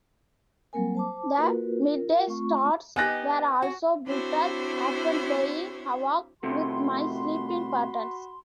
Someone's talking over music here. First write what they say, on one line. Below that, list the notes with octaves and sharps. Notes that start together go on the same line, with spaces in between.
The midday starts were also brutal, often playing havoc with my sleeping patterns.
F#3 G3 A#3 C4 A#4 G#5
C5 A5 D6
A#3 F4 F#4 A#4 B4
F4 A#4
A3 C4 F4 C#6
B3 D#4 G4 G#5 F#6 A#6
F#4
C4 D4 E4 F#4 C5 C#5
A2 C3 A3 F#4 B5 C6